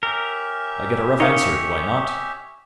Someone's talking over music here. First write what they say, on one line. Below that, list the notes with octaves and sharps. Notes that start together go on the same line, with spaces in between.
I get a rough answer, do I not?
C#4 G4 A#4 E5
D#4 A#4 C#5 D#5 F5